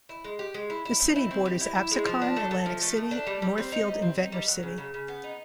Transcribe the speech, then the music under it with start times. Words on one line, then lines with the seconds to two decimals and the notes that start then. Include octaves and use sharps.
The city borders Absecon, Atlantic City, Northfield and Ventnor City.
0.09 E4
0.24 G#3
0.39 G4
0.54 G#3
0.70 E4
0.85 E4
1.00 C4
1.16 E4
1.31 C4
1.46 G4
1.60 E4
1.75 E4
1.91 G#3
2.06 F3
2.22 D4
2.36 A3
2.51 A3
2.66 F3
2.82 A3
2.97 A3
3.11 D4
3.27 G3
3.42 G3
3.58 C4
3.72 D#4
3.88 G3
4.02 C4
4.18 D#4
4.32 G3
4.48 F#3
4.63 C#3
4.78 C#3
4.94 C#3
5.08 B3
5.24 D#4